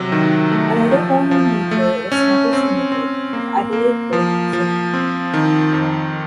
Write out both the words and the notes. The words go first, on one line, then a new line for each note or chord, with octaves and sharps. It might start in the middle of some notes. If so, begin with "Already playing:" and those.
Another well-known maker was Metters Limited of Adelaide, Perth and Sydney.
Already playing: C3 F#3
D#3
A3
F3
F3
A3
C#4
C4
C4
A#3
A#3
F3
F3
C4
D#3
F2